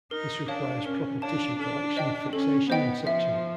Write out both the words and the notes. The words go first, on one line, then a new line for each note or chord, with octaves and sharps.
This requires proper tissue collection, fixation and sectioning.
D#4 A#4
D4 C#5 F5 A5
C#4 A#4
D4 C#5 F5 A5
D4 A4
C5 D#5 G5
C#4 A4
B3 C5 D#5 G5
F3 E5